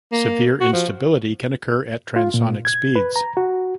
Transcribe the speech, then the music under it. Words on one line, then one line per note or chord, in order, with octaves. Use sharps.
Severe instability can occur at transonic speeds.
A#3
F#4
F3
F4
A#2
G#6
B4
A#5
F#4